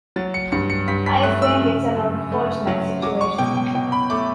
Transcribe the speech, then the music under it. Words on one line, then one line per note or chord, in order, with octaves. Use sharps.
I think it’s an unfortunate situation.
F#3 A6
C#7
G2 C#7
C#7
G2 B6
B6
A3 F#6
E6
C#3
F#2
A3
F#3
F#3 D6
C#6
B2 G5
G5
B2 G5
B5
A3 D6